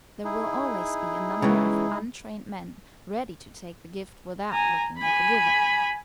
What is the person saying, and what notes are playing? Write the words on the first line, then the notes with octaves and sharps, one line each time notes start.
There will always be a number of untrained men ready to take the gift without looking at the giver.
D#4 E4 G#4
C#3 E3 G#3
G#5 A#5
G#5 B5